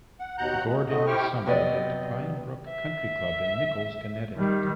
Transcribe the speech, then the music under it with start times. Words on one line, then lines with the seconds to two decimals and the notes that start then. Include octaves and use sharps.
Gordon summered at Pine Brook Country Club in Nichols, Connecticut.
0.20 F#5
0.38 D#2 B2 F#5 A#5 F#6 G6
0.67 G#3
0.88 A2 D3 A3 D#5
1.07 E4 G4 C5 G5 C#6 F6
1.46 C3 F#3 B3 G4 D5 D#5
2.69 E5
4.36 D#3 G3